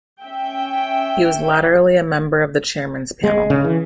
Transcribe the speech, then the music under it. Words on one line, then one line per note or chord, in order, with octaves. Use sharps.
He was latterly a member of the Chairman's Panel.
C#4 E5 G5
G#3
C#3
E3